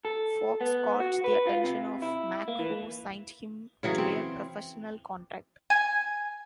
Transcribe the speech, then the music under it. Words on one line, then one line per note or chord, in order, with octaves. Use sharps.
Fox caught the attention of Mack who signed him to a professional contract.
A4
B3
F#4
B4
F4
C3
E4
A#3
E3
C#3 E3 F#3 G#4
C4
G#5